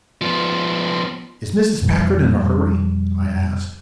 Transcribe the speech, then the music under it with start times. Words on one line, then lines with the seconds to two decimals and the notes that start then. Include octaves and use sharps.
"Is Mrs. Packard in a hurry?" I asked.
0.21 F3 B3
1.82 F2 B2 F3 G3